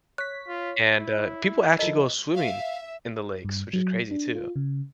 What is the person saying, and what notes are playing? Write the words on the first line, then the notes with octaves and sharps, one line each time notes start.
and, uh, people actually go swimming in the lakes, which is crazy too.
C#5 F#6 B6
F4
E4
F3 A4 A#4 D#5
E5 F5
G2
F#3
D4
F4
C#3